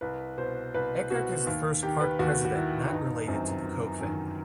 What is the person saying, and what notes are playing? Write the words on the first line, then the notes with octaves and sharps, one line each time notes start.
Eckert is the first park President not related to the Koch family.
C2 B4
B2 C5
C2 B4
B2 F#4
D#2
D#3 G4
B4
D#2 F#4
F#4
D#3 E4
G1 D#4
F#2 D#3 C4
G1
F#2 D#3